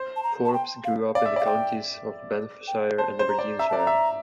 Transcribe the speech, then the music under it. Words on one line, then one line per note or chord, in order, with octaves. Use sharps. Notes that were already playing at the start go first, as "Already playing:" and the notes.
Forbes grew up in the counties of Banffshire and Aberdeenshire.
Already playing: C5
A5
A#5
A5
G5
F5
D5 F5
E5
D5 F5
G5
G5
C5 A5
C5
A#5
D5
E5 A#5
D5 A5
A#5
E5